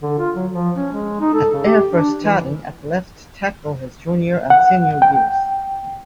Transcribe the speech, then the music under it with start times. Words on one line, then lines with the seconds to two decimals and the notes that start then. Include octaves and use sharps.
At Air Force starting at left tackle his junior and senior years.
0.01 D3
0.19 F4
0.35 F#3
0.51 F3
0.76 C#4
0.92 G#3
1.21 D#4
1.34 A4
1.53 C#3
1.65 G4
1.91 D4
2.23 E3
4.50 F#5
5.02 G5